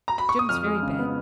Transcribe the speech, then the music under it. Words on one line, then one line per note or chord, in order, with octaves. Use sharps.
'Jim's very bad.
A#5
B5
C#6
D#6
F2 F6
G#3
C#3
B3